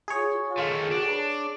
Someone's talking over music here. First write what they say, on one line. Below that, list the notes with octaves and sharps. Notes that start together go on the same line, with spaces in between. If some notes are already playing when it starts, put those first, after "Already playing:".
Can't you call up Felix?
G#4 C#5
D#3 A3
D4